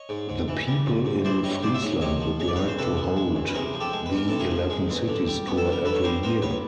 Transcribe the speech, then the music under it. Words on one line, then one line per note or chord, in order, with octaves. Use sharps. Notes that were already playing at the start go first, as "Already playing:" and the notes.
The people in Friesland would like to hold the Eleven Cities Tour every year.
Already playing: C#5 D#5
G#2
G#2
E3
G3
G#2
G#2
E3 C5 D5
G3 C#5 D#5
G#2 C5 D5
E5
G#2 C#5 D#5
C3 C#5 D#5
F3
G#3 C#5
D5
E2 B4 C#5
C5
C3 A4 B4
F3
G#3
E2
B4
C3 G#4 A#4
F3
G4 A4
G#3
B4
E2
A#4
C3 A4
G#4 A#4
F3
G#3
E2
D3
G3
B3
A4
G2
A#4
D3 A4 B4
C#5
G3 A#4 C5
B3 A#4 C5
G2 B4 C#5